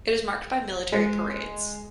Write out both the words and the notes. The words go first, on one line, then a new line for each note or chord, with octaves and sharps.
It is marked by military parades.
G#3